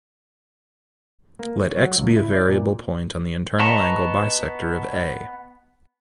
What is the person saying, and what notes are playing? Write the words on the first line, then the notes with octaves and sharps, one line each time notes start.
Let "X" be a variable point on the internal angle bisector of "A".
A#3
C#5
F#3
C#2
E4
D5
A#2
B3 D#5 A5 A#5 C#6